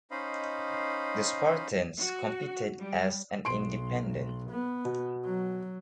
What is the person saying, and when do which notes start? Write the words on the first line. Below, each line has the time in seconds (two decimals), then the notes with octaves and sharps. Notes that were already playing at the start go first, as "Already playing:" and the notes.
The Spartans competed as an independent.
0.11 C#4 D#4 C5 D#5 F5 B5
1.99 F#4
2.80 G3
3.45 B1 C6 D7
4.51 B3
4.85 B2
5.25 F#3